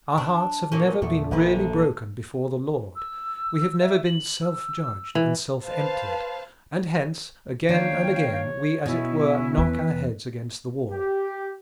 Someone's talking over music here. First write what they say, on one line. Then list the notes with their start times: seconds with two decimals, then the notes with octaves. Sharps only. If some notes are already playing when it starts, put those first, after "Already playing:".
Our hearts have never been really broken before the Lord; we have never been self-judged and self-emptied; and hence, again and again, we, as it were, knock our heads against the wall.
0.18 D4
0.72 A#2 A#3 C#4
1.02 E2 A#2 A3
1.31 A#1 E2 D3 B4
2.96 E6
3.81 E5
4.05 F#7
4.42 E6
5.15 E3
5.65 B4 C5 F5 A5
7.69 D#3 A#3 D4 C#5 F5 G5
8.86 B2 C#4 E4
9.58 E2 B4
10.90 G4